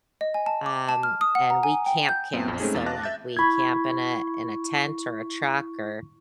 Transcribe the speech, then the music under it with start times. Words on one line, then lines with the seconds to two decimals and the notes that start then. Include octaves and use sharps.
um, and we camp, camp. So, like, we camp in a in a tent or a truck or,
0.21 D#5
0.34 G#5
0.46 A5
0.66 D6
0.89 A5
1.03 F6
1.21 D#6
1.35 F#5
1.50 A#5
1.63 G#5
1.86 G5
2.09 G6
2.33 F#2 B3 C4
2.47 A#1 F2
2.60 G#3 A3 C4 C#4 D#4 G#4
2.74 E2 A6
2.86 D#5 F5 A5 D6 F#6 A#6
3.03 E5 G6 A6
3.37 E4 B5 C#6 G#6